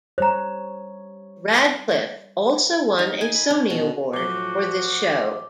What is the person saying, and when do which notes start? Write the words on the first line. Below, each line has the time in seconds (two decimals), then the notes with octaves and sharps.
Radcliffe also won a Sony award for this show.
0.18 G3 C5 C#5 A#5
2.99 D#4
3.21 G#5
3.35 B5
3.50 C#4
3.70 B2
4.14 A2 F3 F#3 F#4 D6 G7